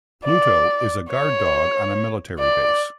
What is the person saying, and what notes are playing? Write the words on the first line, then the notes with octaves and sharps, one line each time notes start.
Pluto is a guard dog on a military base.
D5
C#5
D5